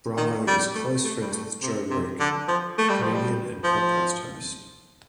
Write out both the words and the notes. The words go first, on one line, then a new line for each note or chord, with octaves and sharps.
Bravo is close friends with Joe Rogan, comedian and podcast host.
D#3
G3
A3
A3
G3
A3
C3
C3
D3
F3
A3
G3
F3
G3
F3